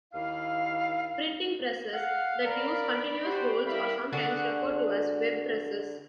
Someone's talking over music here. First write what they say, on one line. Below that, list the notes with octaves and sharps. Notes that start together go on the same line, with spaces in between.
Printing presses that use continuous rolls are sometimes referred to as "web presses".
D#2 E4 F5
F5 F#5
A#4 D5 B5
F#4 G4 C5
G3 E4 A#4 F5 B5
D3 D4 F#4 G#4